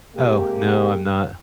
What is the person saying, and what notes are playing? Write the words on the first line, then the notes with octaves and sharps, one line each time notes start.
Oh, no, I'm not.
C3 G#3 A#3 G4